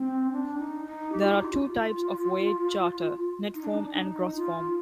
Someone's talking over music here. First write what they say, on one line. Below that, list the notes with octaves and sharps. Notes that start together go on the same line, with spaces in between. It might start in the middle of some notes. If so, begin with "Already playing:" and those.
There are two types of voyage charter - net form and gross form.
Already playing: C4
D4
D#4
D#4
G4
F4
D#4
G4
F4
D#4
D4
D#4
D4
D#4
F4